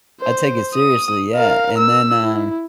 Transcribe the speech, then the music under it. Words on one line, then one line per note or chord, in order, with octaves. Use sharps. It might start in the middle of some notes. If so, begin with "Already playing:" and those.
I take it seriously, yeah, and then, um
C5
D#6
A#4 F5
E6
E4